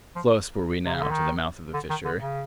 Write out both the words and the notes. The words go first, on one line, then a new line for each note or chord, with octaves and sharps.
Close were we now to the mouth of the fissure.
F3
C3
C#3
D3
D#3
D3
D#3
D3
C#3